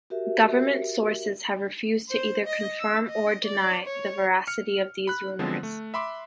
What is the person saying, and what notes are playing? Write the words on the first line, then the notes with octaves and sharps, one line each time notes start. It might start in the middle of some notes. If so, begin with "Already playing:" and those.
Government sources have refused to either confirm or deny the veracity of these rumours.
F#4 G4 A#4 E5
C5
D#5
E6
D#5
D5
C#5
F6 C#7
B5 F#6
D3 F3 F#3 G#3 B3 C4
A3
E5 B5 C6 D6